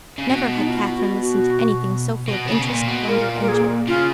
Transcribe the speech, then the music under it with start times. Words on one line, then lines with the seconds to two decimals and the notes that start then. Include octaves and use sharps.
Never had Catherine listened to anything so full of interest, wonder, and joy.
0.18 C#3
0.29 B2
0.56 D#4
0.68 F4
0.89 F4
0.95 F#4
1.22 F#4
2.28 B2
2.48 C#3
2.61 B2
2.69 A#2
2.88 B2
3.08 A#2 A#4
3.41 A#4
3.48 G#4
3.88 C#3 F4